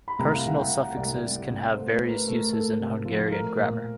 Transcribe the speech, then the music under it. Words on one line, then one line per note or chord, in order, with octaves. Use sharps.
Personal suffixes can have various uses in Hungarian grammar.
B5
C2 A#5
F5
C2 F#5
G5
C3
C2 D5
C2
C2
A3 C5
B4
A3
A#4
B4
A3
A#4
A3 A4
C3
F3
A3 A#4
A#2